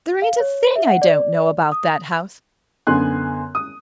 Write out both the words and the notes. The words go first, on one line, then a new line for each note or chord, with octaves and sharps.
There ain't a thing I don't know about that house.
F5
C#5
E5
F#5
D5
D#6
F#2 D3 B3 G#5 C6 F#6
D#6